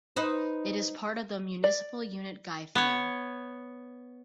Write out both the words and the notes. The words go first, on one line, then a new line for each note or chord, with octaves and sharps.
It is part of the municipal unit Gytheio.
D#4 B4 C5
D5
B3 C#5